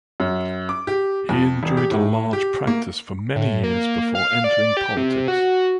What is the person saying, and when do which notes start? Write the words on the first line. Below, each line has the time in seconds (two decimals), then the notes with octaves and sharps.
He enjoyed a large practice for many years before entering politics.
0.20 F#2
0.69 D6
0.87 G4
1.29 F2
1.63 E1
1.77 G4
1.91 A2
2.33 G4
2.67 A#3
3.36 A2
3.64 A#3
4.15 F5
4.44 D5
4.77 G4
4.97 C3
5.28 F#4